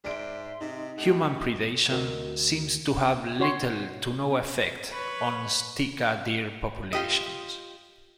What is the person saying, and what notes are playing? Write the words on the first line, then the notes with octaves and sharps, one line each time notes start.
Human predation seems to have little to no effect on Sitka deer populations.
G#2 D5 E5 C6 D7
C3 D#4
A2 C#4 G4 G#4
D2 F#4 A#4 D#5
F#4 C#5 C6
B4 C#5
F4 G4 D#5